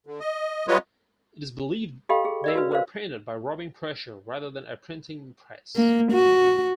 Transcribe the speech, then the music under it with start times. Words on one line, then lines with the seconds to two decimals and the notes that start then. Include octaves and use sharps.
It is believed they were printed by rubbing pressure, rather than a printing press.
0.07 D3
0.20 D#5
0.68 F#3 G3 F4 B4 C#5 D#5
2.09 G4 A4 D#5 F5 G5 B5
2.25 G#4
2.44 D5 D#5 E6
2.56 F#4 B4
2.72 A#4 C5 F5
5.76 A#3
6.12 F#4